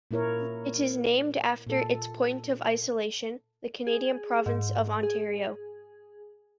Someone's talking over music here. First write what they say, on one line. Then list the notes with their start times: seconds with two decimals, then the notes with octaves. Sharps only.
It is named after its point of isolation, the Canadian province of Ontario.
0.11 A#2 A#3 E4 A#4 C#5
1.67 A#2 A4
3.87 G#4
4.46 G#2
5.03 G#4